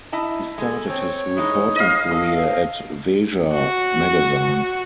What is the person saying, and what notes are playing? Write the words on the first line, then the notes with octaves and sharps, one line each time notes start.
He started his reporting career at "Veja" magazine.
E4 D#5 A5
G#3 A4 G#5
C4 C#5
E3 G#3 D#4 D#6
D#5 F5
A4 F5 D#6
F#4